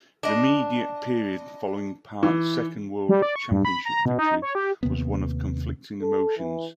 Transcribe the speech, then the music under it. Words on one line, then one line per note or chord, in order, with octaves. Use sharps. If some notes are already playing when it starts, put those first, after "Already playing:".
The immediate period following Part's second world championship victory was one of conflicting emotions.
D4 D#5
E3
G3
D5
C#6
G2
B5
A#5
B2
D#4
C#5
G4
D#2 C3 A#3 B3
A4
E3